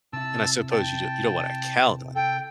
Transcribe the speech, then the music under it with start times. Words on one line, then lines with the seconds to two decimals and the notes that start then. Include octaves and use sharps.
And I suppose you don't you don't wanna count on
0.13 C3 E4 A5 E6
0.71 G5 A5
2.16 A4 G5